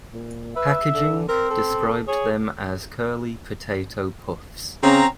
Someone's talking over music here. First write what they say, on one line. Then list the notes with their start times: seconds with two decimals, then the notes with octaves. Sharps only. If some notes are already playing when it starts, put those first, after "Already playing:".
Packaging described them as "curly potato puffs".
0.14 A#2
0.56 B4 E5
0.94 D3
1.28 C4 A#4
1.50 A4
2.08 G#4 C#5
4.83 C#3 C4 C#4 A#5